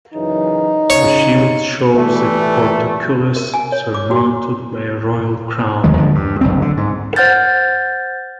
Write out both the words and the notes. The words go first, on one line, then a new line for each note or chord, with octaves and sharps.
The shield shows a portcullis surmounted by a royal crown.
F#2 C#3 E3 D#4
C#3 C#5
E3 G3 A3
A#4
G#5
C#5
D6
F#4
F1 D#2 D#3 G#3
E2 D3 F3 G#3
G2
F#1 C2 G2 C4
D3
G#2
C5 F#5 F6 G6 A6